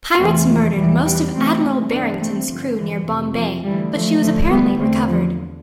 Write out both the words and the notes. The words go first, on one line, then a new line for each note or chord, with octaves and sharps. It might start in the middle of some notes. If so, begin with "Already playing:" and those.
Pirates murdered most of "Admiral Barrington"s crew near Bombay, but she was apparently recovered.
E2 C3 E3 A3 C4
F3 A3
E2 B2 E3 G3
E3 G3
D2 C3 E3 A3 C4
G2 E3 B3 D4
A3 C4
G2 D3 F3
E3
F2 C3 E3
F3
D2 D3 E3 G3
F3 A3
D2 D3 F3 A3
G3 B3
E2 D3 A3 C4
F3